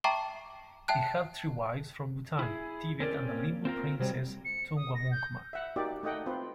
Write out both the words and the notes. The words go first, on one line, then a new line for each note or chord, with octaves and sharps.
He had three wives from Bhutan, Tibet and a Limbu princess, Thungwamukma.
E5 G5 A5 A#5 C#6 D6
E5 G5 A5 F#6
E4 G#4
C4 C#4 A#4 D5
A#3
C4 F4 A#4
C3 F#3 G3 C5
C#7
D#6
A#6
G6
E5 F#5
A#3 D#4 F#4 G4 D5
A3 D#4 D#5 F#5 G5
C4 F4 B4